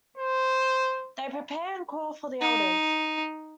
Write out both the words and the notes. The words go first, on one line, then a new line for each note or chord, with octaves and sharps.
They prepare, and call for the elders.
C5
D#4